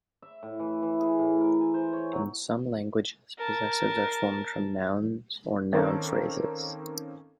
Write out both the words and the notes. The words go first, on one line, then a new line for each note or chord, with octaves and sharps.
In some languages, possessives are formed from nouns or noun phrases.
E5
A2
E3
E3
G#4
A2
A#4
G#5
C5
C#5
F#3
A#4 A5
D#3 A#3 C4 C#4 A4 A#4